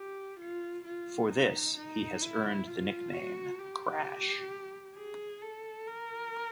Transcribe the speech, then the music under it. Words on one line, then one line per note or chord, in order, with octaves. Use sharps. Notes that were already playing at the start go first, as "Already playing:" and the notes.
For this, he has earned the nickname "Crash".
Already playing: G4
F4
F4
D#4
D#4
E4
F4
F#4
G4
G#4
A4
A#4